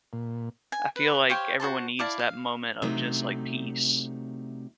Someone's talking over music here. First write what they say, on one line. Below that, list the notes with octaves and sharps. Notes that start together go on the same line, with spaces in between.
I feel like everyone needs that moment of just, like, peace,
A#2
G#5
B4
G4 C5 C#5 F5
F#4 A4 C5 A5
E4 D5 F5 A5
F5
C3 F#3 A3 D4 D#4